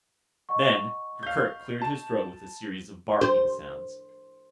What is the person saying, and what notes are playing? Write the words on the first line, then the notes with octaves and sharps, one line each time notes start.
Then Gurgurk cleared his throat with a series of barking sounds.
D#5 F#5 C#6
F5 G6
A5
C5